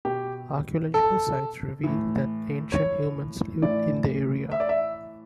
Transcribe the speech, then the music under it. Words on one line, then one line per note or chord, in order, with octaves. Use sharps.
Archeological sites reveal that ancient humans lived in the area.
B2 G4
A4
A2 E3
C#5
A2 E3 D5
E5
D5
E5